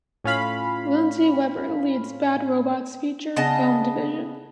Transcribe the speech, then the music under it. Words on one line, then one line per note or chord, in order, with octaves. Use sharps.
Lindsey Weber leads Bad Robot's feature film division.
A2 C#4 F4 F5 B5
C#3 B3 D#5 A5